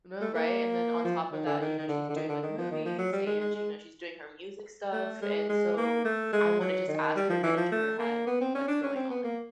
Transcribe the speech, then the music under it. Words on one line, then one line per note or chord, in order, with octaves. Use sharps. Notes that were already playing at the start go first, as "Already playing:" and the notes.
No, right, and then on top of that, you know, she's doing, like, movies, and, you know, she's doing her music stuff, and so I wanna just ask her, get into her head, what's going on.
A3
A#3
F3
D#3
D3
D#3
D#3
D3
D3
D#3
D3
D#3
F3
D#3
F3
F#3
G3
G#3
G#3
G#3
A3
G#3
G#3
A#3
A3
G#3
F#3
D#3
G3
F3
E3
F3
A3
A#3
B3
C4
C#4
D4
C#4
C4
B3
A#3